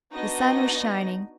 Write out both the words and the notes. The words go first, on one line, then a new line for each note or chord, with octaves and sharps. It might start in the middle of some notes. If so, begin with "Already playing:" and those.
The sun was shining.
B3 D4 D#4 F#4 D#5 A#6